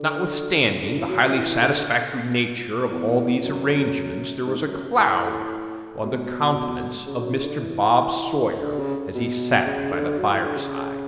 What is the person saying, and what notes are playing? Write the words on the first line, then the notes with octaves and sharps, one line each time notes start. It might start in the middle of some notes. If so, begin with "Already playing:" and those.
Notwithstanding the highly satisfactory nature of all these arrangements, there was a cloud on the countenance of Mr. Bob Sawyer, as he sat by the fireside.
Already playing: D3
D3
E3
F#3
F#3
E3
D3
E2
F#2
G#2
G#2
F#2
A2
B2
C#3
F#3
E3
C#3
D3
E3
D3
C#3
B2
C#3
D3
F#3
E3
D3
C#3